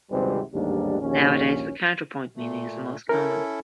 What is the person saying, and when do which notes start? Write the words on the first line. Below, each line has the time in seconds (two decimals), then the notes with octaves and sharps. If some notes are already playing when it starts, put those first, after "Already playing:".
Nowadays the counterpoint meaning is the most common.
0.10 G#1 C#2 C3 G3 B4 C5
0.54 A1 D#2 G#2 G3 D4
1.00 A#1 D#2 C#4
2.36 A#2 A3
3.09 C#4 E4 A4 A#4